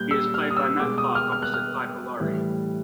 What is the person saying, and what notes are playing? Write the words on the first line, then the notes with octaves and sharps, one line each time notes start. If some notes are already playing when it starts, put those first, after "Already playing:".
He is played by Matt Clark opposite Piper Laurie.
Already playing: A#2 G3 F#6 G6
E6
F6
D#6
E6
B2 G#3 D6
D#6
F6
F6
F#6
F6
A2 E3 G3